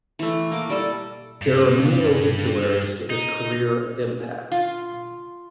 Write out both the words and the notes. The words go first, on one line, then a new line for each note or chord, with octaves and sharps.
There are many obituaries to his career and impact.
E3 A3
A#3 D6
G3 A4
G2
D#4
F4